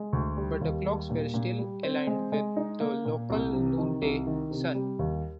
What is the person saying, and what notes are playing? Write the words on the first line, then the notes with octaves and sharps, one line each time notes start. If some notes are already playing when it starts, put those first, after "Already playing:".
But the clocks were still aligned with the local noonday sun.
Already playing: G#3
D2
G3
D#2
G3
A#2
A#2
G3
C4
G#3
G#3
D#4
A#3
A#2
C2
C3
D#3
C2
D#3
C3
G3
D#2